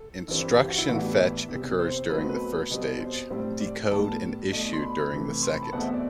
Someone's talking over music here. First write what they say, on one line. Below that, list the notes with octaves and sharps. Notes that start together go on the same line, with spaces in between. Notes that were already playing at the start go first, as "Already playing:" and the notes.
Instruction fetch occurs during the first stage, decode and issue during the second.
Already playing: A4
G2 E3 G3 C4
G4
F#4
E4
A2 E3 B3 D4 F#4
G4
G4
E5
E2 C3 G3
C5
B2 F#3 A3 C4 B4
B4
B2 G3 C4
C5
A2 G3 C4
D5
A2 G3 B3 A5
B2 A3 D4
C6
B5
C3 E3 A3
C6
B5
A5
E2 B2 A3 C4 F#5
E5
D5